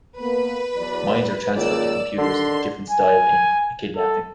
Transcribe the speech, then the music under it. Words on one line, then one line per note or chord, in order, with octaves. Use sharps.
Minds are transferred to computers in a different style in "A Kidnapping".
A#3 B3 B4
E2 F#3 D5
C#2 D#3 A#3 D5 E6
D3 D#3 D4 C6
G#5
A4